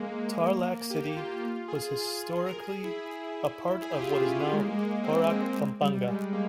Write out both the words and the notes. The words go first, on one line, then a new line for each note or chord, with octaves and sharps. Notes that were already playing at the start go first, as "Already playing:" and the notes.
Tarlac City was historically a part of what is now Porac, Pampanga.
Already playing: G#3 A#3
G4
F4
F4
G#4
A#4
G#4
E4
G#4
G4
F4
C#4
G#3
A#3
G#3
A#3
C4
A#3
G#3
G#3
G3
G#3
A#3